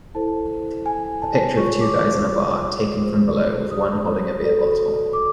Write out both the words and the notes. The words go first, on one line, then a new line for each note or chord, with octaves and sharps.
A picture of two guys in a bar taken from below with one holding a beer bottle.
E4 A4 C5 A5
G#5
A5
F4 G#4 C#5 C#6
D6
F4 G#4 C5
D#6
F#4 A4 D5
D6